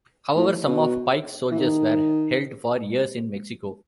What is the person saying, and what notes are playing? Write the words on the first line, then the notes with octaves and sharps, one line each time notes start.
However, some of Pike's soldiers were held for years in Mexico.
A2
B2
E3
D#3